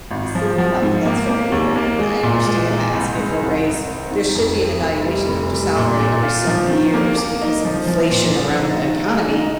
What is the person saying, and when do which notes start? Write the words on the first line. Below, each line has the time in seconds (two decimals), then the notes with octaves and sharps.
Well see, and I don't think that's fair either, I mean, I understand that asking for a raise there should be an evaluation of your salary every, so many years because of inflation around the economy.
0.11 G#1
0.35 F3
0.58 F3
0.82 G#2
1.06 A#3
1.29 A#3
1.52 D#2
1.76 A#3
1.99 G#3
2.23 A#2
2.47 G#3
2.71 G#3
2.94 C2
3.18 G#3
3.41 C2
3.64 C2
3.87 C4
4.11 D#3
4.35 F2
4.58 C4
4.82 F1
5.06 G3
5.29 F1
5.53 G3
5.76 A#2
6.00 A#2
6.23 F4
6.47 F3
6.70 D#3
6.94 A#3
7.17 A#3
7.41 D#4
7.65 F3
7.88 F3
8.11 A#2
8.35 F3
8.59 D#4
8.82 D#3
9.06 G#3
9.29 D#4